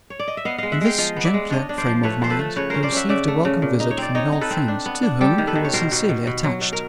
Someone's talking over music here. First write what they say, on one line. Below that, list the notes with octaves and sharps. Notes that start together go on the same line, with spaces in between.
In this gentler frame of mind he received a welcome visit from an old friend, to whom he was sincerely attached.
C#5
D5
D#5
E5
B3 D#5 F5
G#3 D#5 F5
E5 F#5
G#3 F5 G5
F3 D#5 F5
B3
D5 E5
G#3
D4 C#5 D#5
D4
C5 D5
F3
A3 B4 C#5
F3 C5
A4 B4
A3
C#3 B4 C#5
C#4 A#4 C5
C5 D5
C#4 E5 F#5
C#3 D5 E5
A3
C#3
A#2
D#4
C#5
C4 D5
D#4 C#5 D#5
D#4
A4 B4
C4
D4
B3
D4
G3 G4 A4
D#3
A4 B4
D#3
C#5
B2 A#4 C5
B2
B2
B2
F#3
B2
A#4